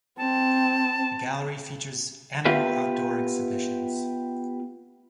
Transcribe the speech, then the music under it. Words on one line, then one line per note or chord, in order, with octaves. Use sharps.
The gallery features annual outdoor exhibitions.
C4 A5
B3 F4 G4 B4 E5 F5